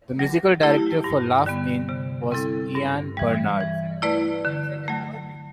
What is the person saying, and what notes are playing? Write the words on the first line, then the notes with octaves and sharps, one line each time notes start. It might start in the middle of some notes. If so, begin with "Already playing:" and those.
The musical director for "Laugh-In" was Ian Bernard.
F#3
A3 E4 G4
G2
D3 G3 B3
C3
G3 C4 E4 A4
G2
E3 G3
E3
A3 E4 B4 D5
D3
F#3 A3